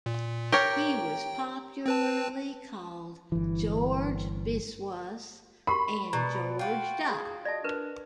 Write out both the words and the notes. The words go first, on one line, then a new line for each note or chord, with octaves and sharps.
He was popularly called "George Biswas" and "George Da".
A#2
G4 A#4 C#5 G5
C4 B4 A5
G1 E3
F#4 G4 A#4 B5
B2 D5 A#5
F4 F#4 G5
G#4
D5 D#5 A5
D4 A#4 B4